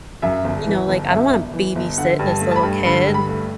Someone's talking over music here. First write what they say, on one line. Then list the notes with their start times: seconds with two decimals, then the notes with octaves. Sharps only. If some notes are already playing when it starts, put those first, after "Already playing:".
you know, like, "I don't wanna babysit this little kid."
0.22 F#2 E5
0.44 G1
0.66 E3
0.89 G1
1.10 F#2 E5
1.32 G1
1.54 E3
1.75 G1
1.98 D3 F#5
2.19 G2
2.27 A5
2.41 A3
2.51 A5
2.56 B5
2.63 G2
2.85 D3 B5
3.07 G2
3.14 B5
3.29 A3